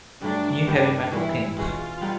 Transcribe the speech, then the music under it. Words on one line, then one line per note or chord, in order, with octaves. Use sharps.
New Heavy Metal Kings.
G2 D3 F#3 A3 D4
G2 D#3 G3 B3 D4
G2 E3 G#3 C#4 E4
B2 G#3 C#4 F4
D3 G3 B3 D#4